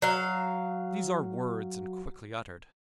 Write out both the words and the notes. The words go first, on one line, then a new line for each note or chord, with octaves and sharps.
These are words and quickly uttered.
F#3 F5